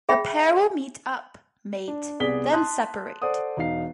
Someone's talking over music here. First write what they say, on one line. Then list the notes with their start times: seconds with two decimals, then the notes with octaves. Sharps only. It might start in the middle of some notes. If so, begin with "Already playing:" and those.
The pair will meet up, mate, then separate.
0.09 G#4 E5 G5 B5
1.88 D4
2.20 C2 B3 G#4 D5 B6 G7
2.52 A5 C6 D#6 F#6
3.22 A4 C5 D5 F#5 D#6
3.57 E1 D#4 F5 C7